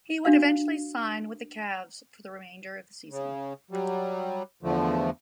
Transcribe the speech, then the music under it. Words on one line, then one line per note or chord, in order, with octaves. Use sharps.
He would eventually sign with the Cavs for the remainder of the season.
D4 F#4 F5
C#3
F#3 G3
E2 D3 F3 A3